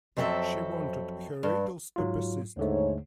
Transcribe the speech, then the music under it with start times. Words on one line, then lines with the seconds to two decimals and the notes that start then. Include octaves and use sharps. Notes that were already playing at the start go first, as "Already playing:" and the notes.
She wanted her riddles to persist.
0.17 F2 F#3 C4 G#4 A4 E5
1.43 G2
1.96 G#2 F#3 F4
2.57 D#2 G#2 D3 A3 C#5